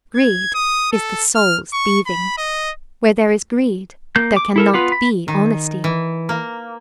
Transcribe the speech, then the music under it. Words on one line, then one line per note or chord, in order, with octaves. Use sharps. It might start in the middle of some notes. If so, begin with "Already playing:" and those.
Greed is the soul's thieving; where there is greed, there can not be honesty.
G#6
D#6
A4
F6
C#6
B5
D#5
A#3 G6
D6
E4 A4 A#4
B3 F4 B4
B5
D#3
E3
A#3